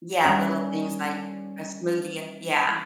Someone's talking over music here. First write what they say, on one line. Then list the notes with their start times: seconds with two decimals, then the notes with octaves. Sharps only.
Yeah, little things like a smoothie, a yeah.
0.25 D#3 G3 C#4 D4